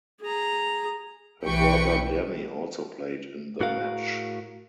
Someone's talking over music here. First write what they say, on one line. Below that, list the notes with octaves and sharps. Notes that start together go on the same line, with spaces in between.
Her brother Danny also played in the match.
G#4 A#5
B1 E3 B4 G5 C#6 C#7
A2 F#4 G#4 A#4 F5